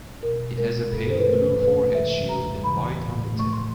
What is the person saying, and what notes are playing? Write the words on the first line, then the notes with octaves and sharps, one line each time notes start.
It has a pale blue forehead shield and white undertail.
B2 A#4
G#3 A#4
A#4
G2 A4
C5
B4
E3 A3 A#4
F2 B4
C3 E3 G#3 E5
D#2 A#5
C#3 E3 B5
A2
F3 A3
C#6
C6